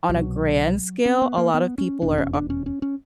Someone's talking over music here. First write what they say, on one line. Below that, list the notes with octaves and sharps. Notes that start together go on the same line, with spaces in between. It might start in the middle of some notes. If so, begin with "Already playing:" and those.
on a grand scale, a lot of people are
C2 B2 F#3
C4
B3
A#3
B3
C#4
F1 E2 B2 D4
C#4
D4
C#4
C#4
C#4